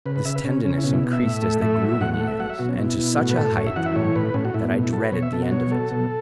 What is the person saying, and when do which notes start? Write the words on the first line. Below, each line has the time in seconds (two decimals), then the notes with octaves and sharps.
This tenderness increased as they grew in years, and to such a height, that I dreaded the end of it.
0.06 C#3 B4
0.16 B4
0.25 C#3 E5
0.35 B4
0.44 C#3 C#4
0.65 C#3 C#4
0.78 E4
0.84 B2 C#4
0.94 E4
1.04 B2
1.13 E5
1.23 A2
1.42 A3
1.62 A2 E5
1.82 F#3
2.01 A2 F#5
2.14 F#5
2.20 A3
2.27 E5
2.40 F#3 F#5
2.50 E5
2.59 B2 F#4
2.69 C#4
2.79 B2 E4
2.99 B2
3.18 A2 F#4
3.30 B4
3.37 A2 A4
3.56 F#2 C#5
3.67 E5
3.76 E3 F#5
3.86 E5
3.96 A2 C#5
4.15 A2 B4
4.34 A2 C#4
4.45 F#4
4.54 A2 E4
4.64 B3
4.74 B2
4.83 E4
4.93 F#3 A4
5.03 B4
5.12 B2 C#5
5.22 E5
5.32 B2 A4
5.42 F#4
5.51 F#3 C#5
5.71 F#3 A4
5.91 B2